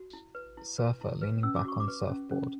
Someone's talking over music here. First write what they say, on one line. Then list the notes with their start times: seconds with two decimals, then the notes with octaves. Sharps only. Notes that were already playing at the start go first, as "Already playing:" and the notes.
Surfer leaning back on surfboard.
Already playing: F#4
0.13 E4
0.35 B4
0.57 E4
0.78 B4
1.01 E4
1.22 B4
1.43 C#4 E6
1.56 D6
1.65 F#4 C#6
1.80 D6
1.88 B4
2.09 C#4
2.31 C#4